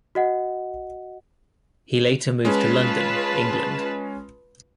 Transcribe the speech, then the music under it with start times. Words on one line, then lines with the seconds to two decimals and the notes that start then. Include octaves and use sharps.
He later moved to London, England.
0.15 F#4 D#5 F#5
2.45 G#3 C#4 F4 B4 A5